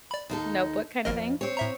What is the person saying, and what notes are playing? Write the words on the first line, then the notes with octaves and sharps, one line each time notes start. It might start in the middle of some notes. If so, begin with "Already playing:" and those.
notebook kinda thing?
D5 B5
D#2 D#4 A4
G#1 F2 A#4 D#5
C4 C#5
A2 E5 A#5